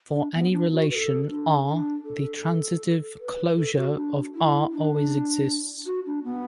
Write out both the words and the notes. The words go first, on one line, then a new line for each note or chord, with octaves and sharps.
For any relation "R", the transitive closure of "R" always exists.
D4
B3
D4
F#4
B4
A4
D4
D4
A4
A4
B4
A4
F#4
D4
E4
D4
F#4
D4
B3